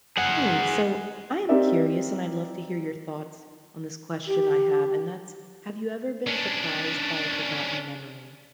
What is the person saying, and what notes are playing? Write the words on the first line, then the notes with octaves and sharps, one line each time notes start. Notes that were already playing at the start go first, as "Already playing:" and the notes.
Hey, so I am curious and I'd love to hear your thoughts on this question I have, and that's have you ever been surprised by a forgotten memory?
G#4 F#5
C4 D#4 G4 A#4 D5 E5
G4
C#4 D4